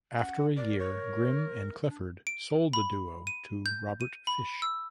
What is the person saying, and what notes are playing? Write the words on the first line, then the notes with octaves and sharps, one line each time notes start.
After a year, Grimm and Clifford sold the duo to Robert Fish.
C#4 F#5
A#4 D5
C#5
D4
D7
B5
D#7
G6
D#7
B5
E6